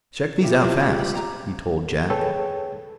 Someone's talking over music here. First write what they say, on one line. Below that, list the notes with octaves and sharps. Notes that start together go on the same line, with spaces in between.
"Check these out fast," he told Jack.
D2 F4 G4
C4 E4
G#3
G3
A#5
G#4 A4 B4 C#5 G5 A5